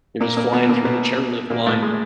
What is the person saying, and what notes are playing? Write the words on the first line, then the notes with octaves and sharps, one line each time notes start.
you're just flying through the chairlift line.
A#2 A#3
A#2 A#3
B2 B3
A#2 A#3
B2 B3
A#2 A#3
A2 A3
G#3